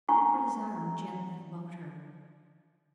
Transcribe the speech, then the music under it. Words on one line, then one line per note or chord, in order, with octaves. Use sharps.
He put his arm gently about her.
C#4 G#5 A#5 C#6